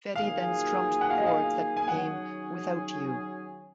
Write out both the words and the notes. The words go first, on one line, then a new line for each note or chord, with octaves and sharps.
Fedi then strummed the chords that became "Without You".
D#3 F#3 A#3 F4 G#4 F5
F#5
F5
D#5
F5
G#5
D#3 F#3 C#4 G#4 F#5